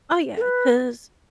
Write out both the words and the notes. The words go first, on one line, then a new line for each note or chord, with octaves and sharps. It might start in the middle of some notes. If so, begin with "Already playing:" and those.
Oh, yeah, 'cause
A4
B4